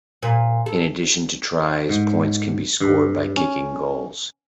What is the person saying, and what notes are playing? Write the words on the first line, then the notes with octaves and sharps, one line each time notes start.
In addition to tries, points can be scored by kicking goals.
A#2
A4
G#2
G2
C#4